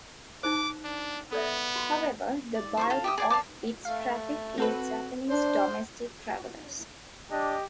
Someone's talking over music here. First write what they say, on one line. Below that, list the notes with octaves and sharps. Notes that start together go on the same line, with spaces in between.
However, the bulk of its traffic is Japanese domestic travelers.
D#4 E4 C5 D6
D4
B3 A4 D5 E5
F#4
D5
C5 D5 C#6
A4 F5
G4 E5 D#6
G#4 D5 G#5
D5 F5 A5 D6
A3 F5
C4 F#4 A4 B4
D4 C5
D4 G4 D#5